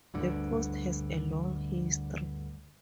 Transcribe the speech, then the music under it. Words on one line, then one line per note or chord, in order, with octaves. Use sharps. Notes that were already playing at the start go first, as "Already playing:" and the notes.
The post has a long history.
D2 G2 D3